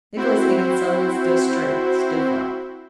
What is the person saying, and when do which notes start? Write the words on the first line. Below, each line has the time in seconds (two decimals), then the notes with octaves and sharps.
Nicholas Higgins suddenly stood straight, stiff up.
0.16 C4 E4 F#4 C5